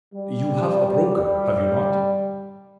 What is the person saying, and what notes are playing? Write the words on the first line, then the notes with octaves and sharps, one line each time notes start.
"You have a broker, have you not?"
G3
G3